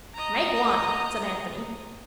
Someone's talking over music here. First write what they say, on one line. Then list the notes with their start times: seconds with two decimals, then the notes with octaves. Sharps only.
"Make one," said Anthony.
0.15 D#5 A#5